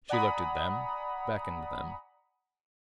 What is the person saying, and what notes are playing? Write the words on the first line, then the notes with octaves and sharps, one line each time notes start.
She looked at them, beckoned them.
D5 F#5 G#5 A#5 B5 D#6